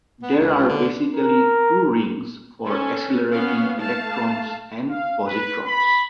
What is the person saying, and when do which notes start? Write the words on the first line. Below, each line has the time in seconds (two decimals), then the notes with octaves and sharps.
There are basically two rings for accelerating electrons and positrons.
0.23 B3
0.39 C#2
0.57 C#2
0.69 D3
1.14 A#4
2.65 C#4 A4
3.31 B3 C#4 F5
3.78 A3 F5 A5
4.90 F5
5.27 B4
5.66 B5